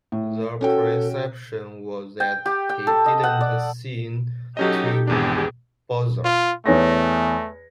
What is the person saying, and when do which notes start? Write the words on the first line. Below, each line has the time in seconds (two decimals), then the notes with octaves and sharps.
The perception was that he didn't seem to bother.
0.12 A2
0.61 C#4 F#4 A4 G5
2.20 G5
2.46 G4
2.69 G5
2.87 A4
3.06 D#5
3.24 F#5
3.41 D5
4.57 F#3 C#4 D#4 G4 A4 D#5
5.07 G#1 E2 B3 D4 G4 G#4
6.25 F4
6.66 E2 A3 C#5 A#6